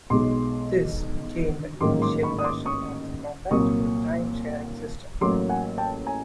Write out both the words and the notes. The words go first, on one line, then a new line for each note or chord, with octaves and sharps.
This became the initial version of the Compatible Time-Sharing System.
B1 B2 G#3 C6 D6
A1 G#2 D#3 F#3 A#3 C6 D6
C6 D6
B5 C#6
D#6
C6 D6
C#6 D#6
C2 A#2 F#3 A#3 C#6 D#6
A1 A2 F#3 A#3 C6 D6
F#5 G#5
G5 A5
G#5 A#5